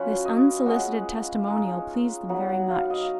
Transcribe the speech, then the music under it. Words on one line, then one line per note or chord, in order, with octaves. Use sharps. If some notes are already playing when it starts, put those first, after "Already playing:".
This unsolicited testimonial pleased them very much.
Already playing: F#3 C#4 F4 B4 C#5
D#5
G#3 C#4 F4 F#5
G#3 D#4
F#3 B3 D#4 F#5
F#5
F5
F5
D#5